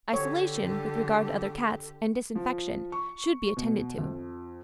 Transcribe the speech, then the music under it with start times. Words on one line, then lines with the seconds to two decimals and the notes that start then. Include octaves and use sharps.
Isolation, with regard to other cats, and disinfection, should be attended to.
0.13 D3 G4 A4 C#5
2.35 F3
2.92 C#6
3.57 B2
3.98 F2